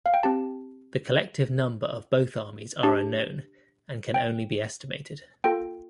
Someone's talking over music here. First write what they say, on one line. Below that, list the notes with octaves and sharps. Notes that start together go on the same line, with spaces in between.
The collective number of both armies are unknown, and can only be estimated.
F5
G5
C4 G4 A5
D4 G4 A5
G5
A#3 F4 A4 G5